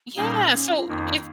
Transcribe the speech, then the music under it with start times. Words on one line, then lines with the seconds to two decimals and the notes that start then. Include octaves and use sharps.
Yeah. So if
0.16 A#2 G3 A#3 C#4 D#4 G#4
0.52 C#4
0.77 F4
0.87 F2 D#3 A#3 D#4